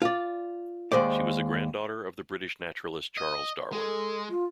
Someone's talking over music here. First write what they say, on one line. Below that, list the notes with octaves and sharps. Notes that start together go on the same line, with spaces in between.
She was a granddaughter of the British naturalist Charles Darwin.
F4 D5
D#2 G#3 C5 D5
D#5
G#3 A4
F4